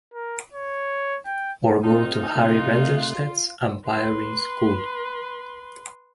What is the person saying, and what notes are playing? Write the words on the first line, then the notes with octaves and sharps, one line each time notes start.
Or go to Harry Wendelstedt's umpiring school.
A#4
C#5
G5
D#3 C4 D#4 F4
C3 A3 F4 F#6
B4 C6